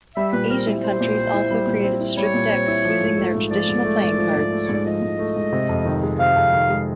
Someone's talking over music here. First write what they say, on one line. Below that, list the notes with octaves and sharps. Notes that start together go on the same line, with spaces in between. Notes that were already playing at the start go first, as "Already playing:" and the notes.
Asian countries also created stripped decks using their traditional playing cards.
G3 E5
A#2 B4
C4 A#4
E4
G3 C5
A#2
C4
E4
G3
A#2
C4
E4
G3 C#5
A#2
C4
E4
F3
G#2
A3
G#2
F3 D5
G#2
A3
G#2
F3
G#2
A3
C#5
G#2 D5
F3 D#5
G#2
A3
G#2
C3
F2
D#3
G#3
C3 F5
F2
D#3
G#3